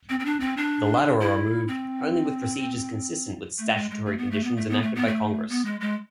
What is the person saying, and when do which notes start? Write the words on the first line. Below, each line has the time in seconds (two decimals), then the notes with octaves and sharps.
The latter are removed only with procedures consistent with statutory conditions enacted by Congress.
0.09 C4
0.20 C4
0.25 D4
0.40 C4
0.57 D4
1.20 E4
1.68 C4
3.58 A3
3.74 G#3
3.91 G#3
4.05 A3
4.18 B3
4.31 A3
4.44 B3
4.57 A3
4.70 B3
4.82 A3
4.95 B3
5.07 A3
5.49 B3
5.65 G#3
5.81 G#3